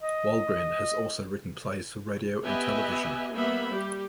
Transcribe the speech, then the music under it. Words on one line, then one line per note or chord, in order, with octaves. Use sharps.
Wahlgren has also written plays for radio and television.
D#5
B3 G4 B4 D#5 E5 G#5
G3 A#3 B3 E5 B5
G3 G4